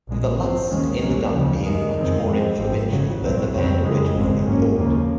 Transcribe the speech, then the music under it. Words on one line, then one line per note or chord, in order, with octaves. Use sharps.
"The Lust..." ended up being much more influential than the band originally thought.
A#1 A#2 G#3
G#2 F3 C4
D#2 D#3 G#3 C#4
C2 C3 F#3 A#3 C#4
D#2 C#3 F3
F#2 D#3 G#3
F2 D#3 G#3 C4
F#2 F3 G#3 C4
G#1 G#2 F3 C4
F#1 F#2 C#3 F#3
C2 A#2 F#3 C4
F2 C#3 F#3 C4
F2 C#3 G#3 C4
G#1 F#2 C#3 G#3 C4
G#2 F#3 A#3 C#4
D#2 C#3 F3 A#3 C#4